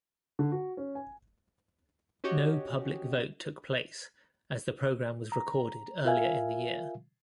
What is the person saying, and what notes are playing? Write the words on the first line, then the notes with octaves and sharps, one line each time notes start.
No public vote took place, as the programme was recorded earlier in the year.
D3
F#4
C#4
G#5
C#4 F#4 G4 C#5 D#5
A#5
F4 A#4 E5 F5 G#5